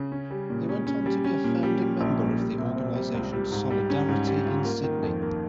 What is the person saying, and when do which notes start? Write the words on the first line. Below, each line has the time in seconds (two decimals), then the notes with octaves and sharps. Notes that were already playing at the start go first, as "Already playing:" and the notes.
He went on to be a founding member of the organisation Solidarity in Sydney.
Already playing: C#3
0.12 C#4
0.31 G3
0.50 A#2
0.69 C#4
0.87 C#4
1.06 G3
1.24 C#4
1.44 A#2
1.63 G3
1.82 G3
2.01 A#1
2.19 A#2
2.39 G3
2.58 C3
2.76 C4
2.95 G3
3.14 C#2
3.33 G3
3.51 G#2
3.71 G3
3.90 C#4
4.08 G#2
4.27 G3
4.46 F4
4.65 A#3
4.84 D#3
5.03 F2
5.22 A#3